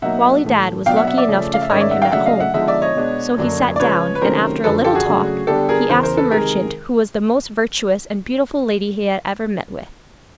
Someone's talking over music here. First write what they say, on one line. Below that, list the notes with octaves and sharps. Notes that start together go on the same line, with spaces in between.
Wali Dad was lucky enough to find him at home, so he sat down, and after a little talk he asked the merchant who was the most virtuous and beautiful lady he had ever met with.
B2 F#3 A#3 D#4 E5 F#5
A2 E3 A3
B2 F#3 B3 D4 F5 G5
E5 F#5
E5 F#5
D5 E5
C#3 F3 A3 C#4
F5
E5
G#2 D#3 G#3 C#4 C#5 D#5
D5 E5
E5 F#5
F5 G5
C#3 F#3 A3 D4 E5 F#5
D#5 F5
E5 F#5
D3 F3 G#3 B3 D#4 E5 F#5
D5 E5
C#5 D#5
B2 G#3 B3 D4
F#2 D3 F#3 A#3 D4
D5
C#3 F3 G#3 B4 C#5
B4
C3 D#3 F#3 A3 C#4 A#4 C5
F#2 D3 F3 A4 B4
G4 A4
F#4 G#4
C#3 F#3 A3 D4
D3 G3 B3 D4 G4 A4
G#4 A#4
E2 C#3 E3 A#4 C5
A#4 C5
A4 B4
C3 D#3 G#3 G#4 A#4